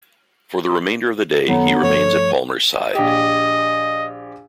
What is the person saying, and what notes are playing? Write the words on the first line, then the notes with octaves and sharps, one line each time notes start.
For the remainder of the day, he remains at Palmer's side.
F#2 D#3 F#3 B3 A4 C#5 A#5
G2 F3 A3 A4 C#5
A#1 G4 D#5